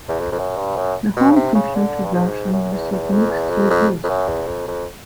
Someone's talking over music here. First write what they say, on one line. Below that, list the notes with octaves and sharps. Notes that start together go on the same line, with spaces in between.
The home computer versions received mixed reviews.
E2
F2
F2
F#2
G2
F#2
B2
C#3
C3
C#3
D3
G2
G#2
F#2
E2
E2
F2
E2
F2
F2
F2
F#2
E2
F2
F2